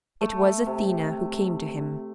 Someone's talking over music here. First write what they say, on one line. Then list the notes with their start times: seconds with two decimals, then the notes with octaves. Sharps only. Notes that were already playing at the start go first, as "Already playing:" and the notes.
It was Athena who came to him.
0.21 A3
0.66 C3